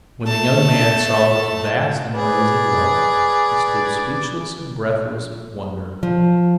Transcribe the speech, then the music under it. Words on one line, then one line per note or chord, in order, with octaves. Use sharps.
When the young man saw this vast and amazing wealth he stood speechless and breathless with wonder.
A3 A5
G#4 B4 D5
F3